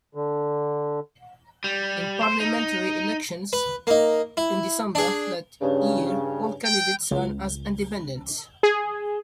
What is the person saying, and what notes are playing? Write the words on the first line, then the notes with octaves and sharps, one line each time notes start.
In parliamentary elections in December that year all candidates ran as independents.
D3
G3
C5
D#4
B4
A#3 D#4
E4
D4 G#4
G2 C#3
G5
C#2
G#4